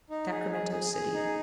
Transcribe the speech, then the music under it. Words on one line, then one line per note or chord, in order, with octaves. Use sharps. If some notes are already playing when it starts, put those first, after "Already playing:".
Sacramento City.
D#4
G#4
G#4
G#4
G#4
D#4